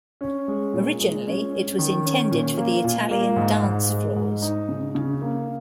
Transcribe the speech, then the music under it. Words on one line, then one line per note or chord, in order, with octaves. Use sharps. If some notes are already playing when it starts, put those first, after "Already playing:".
Originally, it was intended for the Italian dancefloors.
C#4
G#3
A#2
G#3
C#4
C#4
D#3
C#4
A#2
A#3
A#2
A#3
G#2
G#2
G#3
G#2
D#4
C#3
C#3
A#3